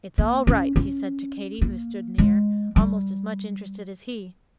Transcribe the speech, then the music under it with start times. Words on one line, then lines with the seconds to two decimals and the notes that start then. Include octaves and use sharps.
"It's all right," he said to Katy, who stood near, almost as much interested as he.
0.18 A#3
0.47 C#4
0.76 C#4
1.62 A#3
2.18 G#3
2.76 G3